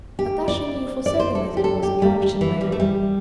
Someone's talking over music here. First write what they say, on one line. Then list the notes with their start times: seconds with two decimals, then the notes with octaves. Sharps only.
Natasha knew for certain that he was enraptured by her.
0.19 G4
0.48 D5
1.06 D5
1.20 C5
1.35 A4
1.57 G4
1.64 A4
1.83 G4
2.02 G3
2.22 G3
2.41 E3
2.61 G3
2.72 A3
2.80 G3